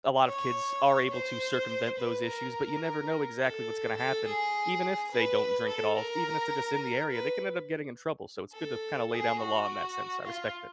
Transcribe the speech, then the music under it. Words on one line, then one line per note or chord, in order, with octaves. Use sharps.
a lot of kids are able to circumvent those issues, but you never know exactly what's gonna happen even if they don't drink at all, f even if they're just in the area, they can end up getting in trouble, so it's good to kinda lay down the law in that sense, I respect it.
C#5
C5
B4
A#4
A4
A4
G#4
B4
A4
A#4
B4
A4
G#4
F#4
F4